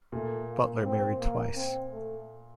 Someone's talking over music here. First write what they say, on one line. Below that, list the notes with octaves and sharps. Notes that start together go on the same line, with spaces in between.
Butler married twice.
A#2 A3
A#3
C4
A#3
C4
A3